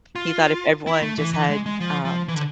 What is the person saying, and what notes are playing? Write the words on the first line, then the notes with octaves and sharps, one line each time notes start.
He thought if everyone just had, um,
F4
E4
A3
E3
E3
G#3
G#3
F3
F3
E3
D3